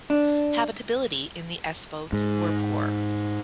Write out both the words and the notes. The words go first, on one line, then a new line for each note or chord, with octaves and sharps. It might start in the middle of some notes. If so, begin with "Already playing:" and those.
Habitability in the S-boats were poor.
D4
G#2